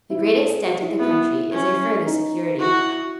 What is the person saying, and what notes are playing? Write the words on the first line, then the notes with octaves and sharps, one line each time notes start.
The great extent of the country is a further security.
E4
A4
A4
G#4
F#4
E4
B3 E4
C#4
D#4
E4 F#4